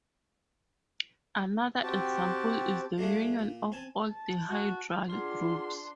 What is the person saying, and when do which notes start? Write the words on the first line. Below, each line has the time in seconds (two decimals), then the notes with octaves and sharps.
Another example is the union of all dihedral groups.
1.83 C4 F#4 G4 A5
2.98 D3 G3 A3 D4 F4 G#4
3.39 A#2
3.72 C4 G#5 A5
4.08 A5
4.50 F#4
5.10 D4 F4 G#4 F#5 C6